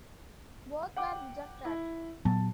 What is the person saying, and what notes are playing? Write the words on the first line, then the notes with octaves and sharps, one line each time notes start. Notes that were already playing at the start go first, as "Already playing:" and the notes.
Both were rejected.
F#5 G5 D6
E4
A#2 F#3 B3 A5